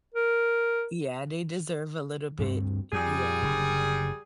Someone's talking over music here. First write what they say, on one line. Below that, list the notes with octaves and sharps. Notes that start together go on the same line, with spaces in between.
Yeah, they deserve a little bit, y yeah.
A#4
D2 G2 C4
F2 G3 G#4
F#1 D3